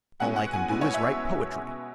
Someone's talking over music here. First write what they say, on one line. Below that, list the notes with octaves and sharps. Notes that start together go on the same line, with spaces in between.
All I can do is write poetry.
B2 G#3 C#4 E4 F#5
F#5
G#5
B2 G#3 C#4 E4 G#5
C#5
E5